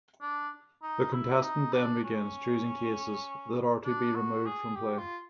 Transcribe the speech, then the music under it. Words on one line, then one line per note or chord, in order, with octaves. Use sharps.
The contestant then begins choosing cases that are to be removed from play.
D4
D#4
E4
D#4
D4
C#4
D4
F#4
G#4
G4
F4